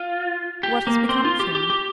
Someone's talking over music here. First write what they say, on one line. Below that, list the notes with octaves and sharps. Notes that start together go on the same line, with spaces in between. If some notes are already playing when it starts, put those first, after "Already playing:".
"What has become of him?"
Already playing: F4
G4
A#3
C4
F4
G4
G4
G4